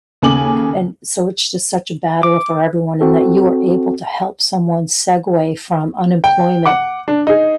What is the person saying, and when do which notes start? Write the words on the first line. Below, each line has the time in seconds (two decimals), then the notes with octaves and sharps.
and so, it's just such a battle for everyone, and that you are able to help someone segue from unemployment
0.22 D#2 C#3 A4 G#5 D6 F#7
2.23 D6
3.01 C4 F#4 A4
6.24 G5
6.66 F#5 D6
7.08 D4
7.27 D#4 G#4